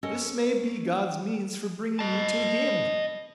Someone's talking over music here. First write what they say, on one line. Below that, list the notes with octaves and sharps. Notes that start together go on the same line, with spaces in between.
This may be God's means for bringing you to Him.
C#4 A4 A#4 D#5
D#5 A5